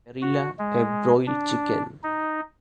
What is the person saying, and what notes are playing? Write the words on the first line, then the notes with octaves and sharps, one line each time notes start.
Marilla, a broiled chicken!
F#4
G#3
D4
D#4